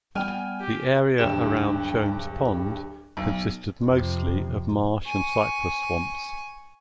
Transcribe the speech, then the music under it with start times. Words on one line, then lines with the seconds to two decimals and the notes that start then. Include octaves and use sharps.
The area around Shone's Pond consisted mostly of marsh and cypress swamps.
0.15 G3 G#3 B3 G5 G#5 F6
0.61 G4
1.18 D1 G2 G4 E7
3.17 B1
3.82 F2 C3
5.07 G#5 C#6